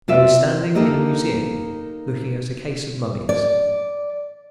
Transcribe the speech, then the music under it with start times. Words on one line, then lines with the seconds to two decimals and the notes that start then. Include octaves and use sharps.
I was standing in a museum looking at a case of mummies.
0.08 C3 F4 D5 E5
0.75 A#3 D#4 G4 A4 D#5
3.29 D5